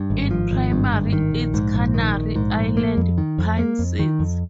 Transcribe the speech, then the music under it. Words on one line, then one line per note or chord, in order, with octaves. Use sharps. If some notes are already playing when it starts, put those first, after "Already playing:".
It primarily eats Canary Island pine seeds.
Already playing: G2
G#1
F3
G#1
G2
G#1
D#3
A#1
G#2
A#1
D#3
A#1
G#2
A#1
A#3
F2
D#3
F2
A#3
F2
D#3
F2